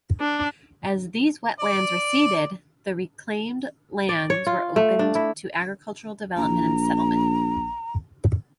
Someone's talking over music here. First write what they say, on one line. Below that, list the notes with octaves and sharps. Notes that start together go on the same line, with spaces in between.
As these wetlands receded, the reclaimed lands were opened to agricultural development and settlement.
D4
D5
D5
C#5
F4
A3
D4
E4
A#1 A#5